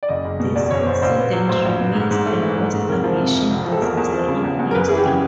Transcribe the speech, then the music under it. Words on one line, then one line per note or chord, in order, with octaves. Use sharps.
This incident remains the worst aviation disaster in history.
D5
F#1 D#5
F#1
B2
E2 D5
F#1 C#5
F#1 C5
A#1 C5
B3
F#3
A2 C5
A#1
B3
G#2
G#2
A3
E3
G#2
G#2
F1 A#4
F3
C3
F2
F1
F3
A4
E2 A#4
E2
F3
C#3
E2
E2
A#4
F#1 B4
E3 G#4
G4
C#3